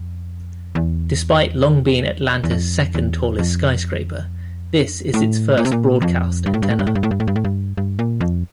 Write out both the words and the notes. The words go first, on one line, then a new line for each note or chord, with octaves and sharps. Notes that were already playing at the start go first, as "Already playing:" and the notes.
Despite long being Atlanta's second-tallest skyscraper, this is its first broadcast antenna.
Already playing: F2
E2
E2
F2
E2
F2
A2
A#2
C3
A#2
F2
G2
A2
G2
A2
G2
A2
G2
A2
G2
A2
G2
A2
G2
G2
A#2
F2